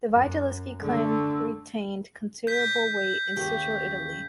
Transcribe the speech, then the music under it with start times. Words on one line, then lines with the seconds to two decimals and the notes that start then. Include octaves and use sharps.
The Vitelleschi clan retained considerable weight in Central Italy.
0.10 F#2
0.81 D3 A3
2.47 G6 B6
3.36 D#2 C#3 G4